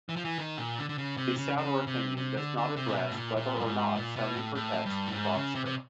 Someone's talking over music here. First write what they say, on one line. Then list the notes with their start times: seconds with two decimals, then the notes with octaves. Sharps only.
The Souter opinion does not address whether or not "Sony" protects Grokster.
0.09 E3
0.16 F3
0.25 E3
0.38 D#3
0.58 A#2
0.79 D3
0.89 D3
0.98 C#3
1.17 C3
1.37 C#3
1.58 C#3
1.87 C3
2.17 C3
2.37 D3
2.57 D3
2.76 C3
2.87 A#2
2.96 B2
3.11 A2
3.17 A#2
3.37 A#2
3.57 G2
3.66 G#2
3.96 A#2
4.16 B2
4.36 A2
4.55 A2
4.86 G2
5.06 A2
5.15 G#2
5.35 C#3
5.55 C3
5.66 C3